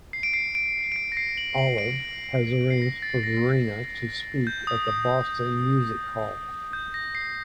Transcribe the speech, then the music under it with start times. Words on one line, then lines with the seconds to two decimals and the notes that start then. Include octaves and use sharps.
Olive has arranged for Verena to speak at the Boston Music Hall.
0.13 C7
0.23 D7
0.34 C7
0.55 D7
0.92 D7
0.96 C7
1.12 A#6
1.17 C7
1.37 F#7
1.58 F#7
1.78 D7
2.70 C7
2.82 A#6
3.02 A6
3.23 A#6
4.47 G6
4.67 D#6
4.88 D#6
6.73 G6
6.94 A#6
7.15 C7